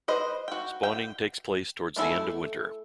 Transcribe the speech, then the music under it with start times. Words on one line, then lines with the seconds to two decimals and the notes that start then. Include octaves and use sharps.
Spawning takes place towards the end of winter.
0.08 B4 C5 D#5
0.48 F#4 G5
0.83 G5
1.96 A3 D4 E4 A4 G#5